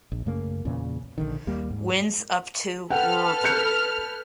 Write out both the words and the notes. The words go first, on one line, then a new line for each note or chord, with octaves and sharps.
Winds up to were reported.
A#1
F#2 C#3 A3 A#3
E2 A#2 C#3
A#1 D3 D#3
D#2 G3 A#3
G#2
A4 B4 F#5 G5 F6
F#6 G6 C#7